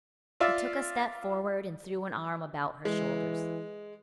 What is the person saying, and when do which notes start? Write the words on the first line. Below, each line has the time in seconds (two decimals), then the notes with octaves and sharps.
He took a step forward and threw an arm about her shoulders.
0.40 F4 D5 E5
2.85 E3 G#3